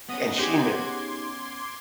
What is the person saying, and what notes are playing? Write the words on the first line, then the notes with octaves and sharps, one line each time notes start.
and she knew.
B3 C#4 F#4 D#5 D#6
D#4 G4 G#4 C6 D6 G#6